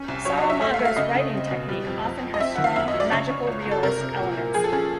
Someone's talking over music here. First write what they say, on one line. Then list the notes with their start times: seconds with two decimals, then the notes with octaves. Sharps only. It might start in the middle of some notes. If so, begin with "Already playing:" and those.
Saramago's writing technique often has strong magical-realist elements.
Already playing: C#4
0.08 C2
0.25 F#3 C#5
0.38 D#5
0.44 F#3
0.50 E5
0.61 A3 E5
0.74 F5
0.79 A3
0.85 F5
0.97 C#3 D#5
1.15 C#3
1.33 C4
1.51 B2
1.69 G3
1.87 F2
2.04 F2
2.23 F2
2.34 D#5
2.40 C4 E5
2.56 D#3 F#5
2.64 F5
2.76 F#2 E5
2.88 D#5
2.94 F#3
3.00 D5
3.12 C#3 C#5
3.30 C#3
3.47 C#2
3.65 C#2
3.71 A4
3.83 C3 A#4
4.01 C3
4.19 A#2
4.37 A#2
4.54 F3 G#4
4.64 A4
4.72 C#4 G#4